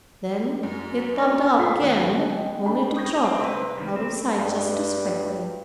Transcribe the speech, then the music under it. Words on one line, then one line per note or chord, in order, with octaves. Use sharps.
Then it bobbed up again, only to drop out of sight just as quickly.
F#2
D4 D5 C6
A#2 F4 A4 B6 C7
D#2 F#6
D3 B3 C4
D#5 G5 G#5
D4 G4 G#4 G5 B5
C#6 D#6 G6 G#6 A#6
C4
C3 B4
F#2 D#3 G3
C4
G2